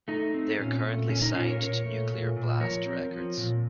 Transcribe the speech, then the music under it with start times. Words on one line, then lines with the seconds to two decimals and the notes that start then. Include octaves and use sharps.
They are currently signed to Nuclear Blast records.
0.08 A3 D#4
0.34 C4
0.59 A#2 C#4
0.83 A3
1.09 A#2 C#4
1.22 D#4
1.34 A#2 C#4 F4
1.47 A#4 C#5
1.59 A#2 A#4 C#5
1.85 A3
2.10 A#2
2.36 A#2
2.61 F3 A#4 C#5
2.86 C4
3.11 F3
3.37 A#2